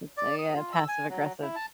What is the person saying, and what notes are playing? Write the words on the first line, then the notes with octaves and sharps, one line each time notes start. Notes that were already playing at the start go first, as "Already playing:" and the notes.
It's a, uh, passive aggressive
D5
D#6
F4
E6
G#5
F#3
E4
A5